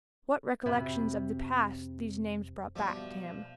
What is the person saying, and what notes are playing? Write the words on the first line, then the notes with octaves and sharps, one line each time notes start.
What recollections of the past these names brought back to him!
F2 C3 F#4 E5 B5
B2 F3 G3 G4 D5 E5